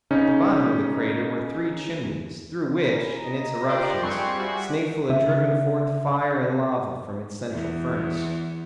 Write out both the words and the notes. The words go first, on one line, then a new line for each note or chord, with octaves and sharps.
At the bottom of the crater were three chimneys, through which, in its eruptions, Snaefell had driven forth fire and lava from its central furnace.
C#3 C#4 D#4
C#4 E4 A#5
D#5
A#3 D4 F4 G4 C5 D5
G3 C4 G#4 B4 G#5 C6 C#6
E4 F#4
C#3 E5
E2